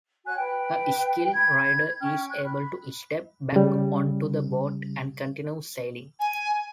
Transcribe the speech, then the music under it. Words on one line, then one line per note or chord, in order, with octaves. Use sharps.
A skilled rider is able to step back onto the board and continue sailing.
F#4 C#5 G#5 F#6
B4 G5
B5 G#6
C#4 G5 F6
C#6 F#6
B5
C#3 G3
G#5